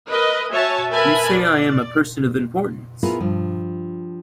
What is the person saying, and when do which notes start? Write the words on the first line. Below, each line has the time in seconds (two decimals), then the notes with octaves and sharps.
You say I am a person of importance.
0.11 A#4 B4 D#5
0.52 F#4 C#5 E5 G#5 A5
0.92 A#4 B4 E5 G#5 A5 B5
1.30 D5
3.03 B3 E4 F4 G#4 A#4 B4
3.20 G2 F3